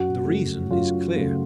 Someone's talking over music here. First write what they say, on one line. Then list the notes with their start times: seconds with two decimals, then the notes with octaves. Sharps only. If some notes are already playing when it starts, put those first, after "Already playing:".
The reason is clear.
Already playing: F#2 F#4
0.25 C#3 A3
0.71 F#2 F4
1.16 C#3 A3